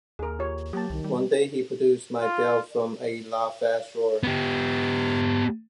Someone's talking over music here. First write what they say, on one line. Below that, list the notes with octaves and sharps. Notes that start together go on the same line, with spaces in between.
One day he produced my belt from a lockfast drawer.
D#2 G#4 A#4
F4 G4 C#5
F#3 A#3 G4 A5
C2 D#3
G3
F4
B3 G4